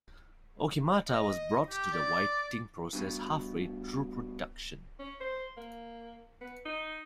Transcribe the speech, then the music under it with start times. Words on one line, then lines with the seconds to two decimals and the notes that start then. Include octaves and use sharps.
Okimata was brought into the writing process halfway through production.
1.09 D#5
1.71 G4
1.93 D5
2.93 G2 B2
4.99 C#4
5.20 C5
5.57 A#3
6.41 B3
6.65 D#4